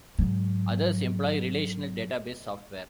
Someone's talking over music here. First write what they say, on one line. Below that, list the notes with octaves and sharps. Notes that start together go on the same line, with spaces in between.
Others employ relational database software.
G#2 F#3